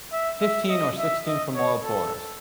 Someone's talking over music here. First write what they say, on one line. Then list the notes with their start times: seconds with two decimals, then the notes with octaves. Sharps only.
Fifteen or sixteen femoral pores.
0.12 E5
0.41 E5
0.69 D#5
0.98 E5
1.27 D#5
1.54 C#5
1.83 A4